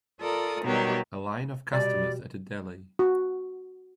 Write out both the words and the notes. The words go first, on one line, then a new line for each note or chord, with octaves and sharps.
A line of customers at a deli.
F4 A4 A#4 D5 D#6
B2 D#3 F#3 G3 B3 G4
B2 G3 D5
F#4